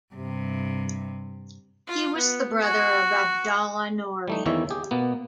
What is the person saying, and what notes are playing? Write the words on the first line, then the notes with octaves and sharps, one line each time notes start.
He was the brother of Abdollah Noori.
G2 C3
F4
B3
F#4
G3 A3 D#4
E2 D#3 E3 A#3 C#5 E5
G4 G#4
B2 A#3 B3